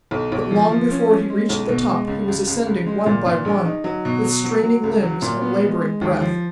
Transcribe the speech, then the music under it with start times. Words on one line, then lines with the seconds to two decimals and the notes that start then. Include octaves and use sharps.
But long before he reached the top he was ascending one by one, with straining limbs and laboring breath.
0.11 B1
0.32 B1
0.51 F3
0.71 F3
0.91 C#4
1.10 C#4
1.30 G#3
1.49 B1
1.69 B2
1.89 G#3
2.07 C#2
2.28 C#2
2.47 C#2
2.67 C#2
2.86 G#3
3.06 A#2
3.26 A#2
3.45 A#1
3.65 D#4
3.84 F#3
4.05 B2
4.24 F#3
4.44 F#3
4.64 F#3
4.83 C#2
5.02 F#3
5.22 A#2
5.41 B3
5.61 G#3
5.81 G#3
6.01 D#2
6.21 F3